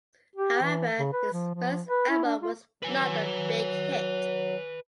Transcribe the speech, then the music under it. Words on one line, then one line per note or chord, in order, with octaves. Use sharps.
However, his first album was not a big hit.
G4
E3
C#3
B4
F3
F3
B4
E4
D4
F4
F#3 B4 G#5